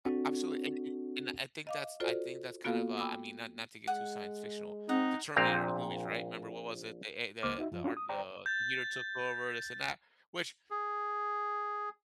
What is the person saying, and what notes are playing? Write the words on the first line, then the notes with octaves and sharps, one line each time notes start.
a absolutely, an an and I think that's I think that's kind of a I mean, not not to get too science-fictional The Terminator, the movies, right, remember what was it, the a the the art the computer took over this and that, which
C4 D4 F#4 A4
D#5 F5 D6
F4 F#4 A4 C5 D5
A#3 B3 F4 F#4 A4 F5
G5 B5 D6 E6
G#3 F#5
C4 D#4 F#5
A#1 A#2 C4 A#5
C#2 A#3 C5 D6 F6
D#4 F#4 E5
F#2 F3 F4
C#4 D4 F4 F#4
D#6
C5 D5 G5 A#5
G6 A6
G#4